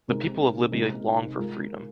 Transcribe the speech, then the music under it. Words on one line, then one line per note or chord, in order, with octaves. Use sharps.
The people of Libya long for freedom.
C3 G#3 D#4 A#4
C3 G#3 D#4 A#4
G#3 F4 A#4